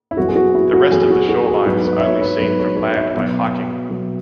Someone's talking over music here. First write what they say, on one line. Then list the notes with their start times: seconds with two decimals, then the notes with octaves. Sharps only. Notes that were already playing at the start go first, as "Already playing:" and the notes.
The rest of the shoreline is only seen from land by hiking.
0.11 E4
0.17 F#2 E3 B3 F#4
0.28 G#4
0.36 F#4
0.55 E4
0.73 F#4
0.91 F#2 E3 B3 G#4
1.02 G#4
1.10 F#4
1.29 F#4
1.47 G#4
1.66 G#2 F#3 B3 B4
1.85 B4
1.98 E5
2.03 C#5
2.21 B4
2.40 G#2 F#3 B3 B4
2.59 C#5
2.77 C#5
2.95 E5
3.14 B2 F#3 B3
3.89 B2 F#3 B3